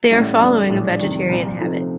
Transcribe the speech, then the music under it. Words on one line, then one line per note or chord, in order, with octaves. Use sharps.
They are following a vegetarian habit.
A1 A2 G3
F2 D3 G3 D4
A#1 A2 G3 D4
F2 C3 D#3 G3
C2 A#2 F3
C3 F3 A3 D#4